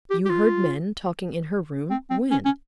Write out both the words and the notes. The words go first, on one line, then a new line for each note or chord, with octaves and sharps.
"You heard men talking in her room--when?"
G4
G4
F4
C4
C4
C#4
C#4